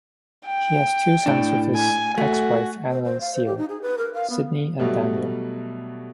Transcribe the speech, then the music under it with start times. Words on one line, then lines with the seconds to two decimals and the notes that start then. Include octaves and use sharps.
He has two sons with his ex-wife, Annalynn Seal; Sidney and Daniel.
0.46 G5
1.26 A2 D4
1.76 G#5
2.18 A3 F#4
2.90 C5
3.04 C5
3.20 F5
3.34 C5
3.46 G4
3.58 D#4
3.69 G#4
3.82 B4
3.98 A#4
4.14 F5
4.30 B3
4.79 B2 F#3 G3 A3